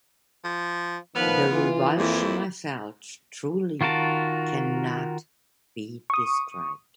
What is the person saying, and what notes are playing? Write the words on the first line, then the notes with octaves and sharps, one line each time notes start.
The revulsion I felt truly cannot be described.
F3
D#3 F3 B3 B4 F6
E3 F4
F2 A#3 E4
D#3 F4 F#4 A#4 A5
C#6 D#6